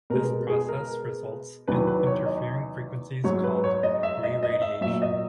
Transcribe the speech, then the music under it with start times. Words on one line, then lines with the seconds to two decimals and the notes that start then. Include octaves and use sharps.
This process results in interfering frequencies called reradiation.
0.10 B2 G#3 A#4
0.50 G#4
0.69 A#4
1.68 E2 D#3 F#3 B4
1.87 B4
2.07 C#5
2.26 D#5
3.24 G#2 F#3 C#5
3.44 B4
3.64 C#5
3.83 D#5
4.03 E5
4.23 D#5
4.43 D#5
4.62 E5
4.81 F#3 E5
4.85 A#2
5.02 D#5